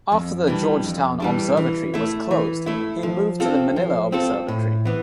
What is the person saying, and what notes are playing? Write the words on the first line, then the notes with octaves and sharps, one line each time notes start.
After the Georgetown Observatory was closed he moved to the Manila Observatory.
F2
E3 G3 D4
F2
E3 G3 D4
E3
A3 E4
E3
A3 E4
F3
C4 F4 A4
F3
C4 F4 A4
A2
E3 B3